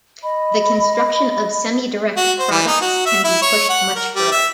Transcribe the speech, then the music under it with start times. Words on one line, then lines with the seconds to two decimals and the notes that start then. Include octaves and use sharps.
The construction of semidirect products can be pushed much further.
0.22 D#5 B5
2.17 F#4
2.39 C5
2.51 E3
2.67 D#4
2.81 F#4
3.06 E5
3.24 E4
3.42 C#5
3.69 F#5
3.96 A#4
4.15 G3
4.32 E5